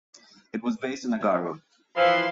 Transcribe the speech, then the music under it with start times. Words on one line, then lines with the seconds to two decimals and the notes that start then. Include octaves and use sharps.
It was based in Agaro.
1.97 E3 F3 F5 C6